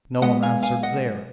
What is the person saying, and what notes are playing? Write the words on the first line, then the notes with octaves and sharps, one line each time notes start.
No one answered there.
B1 B2 G#3 B3 D#5 F#5
F5 G#5
F5 G#5
D#5 F#5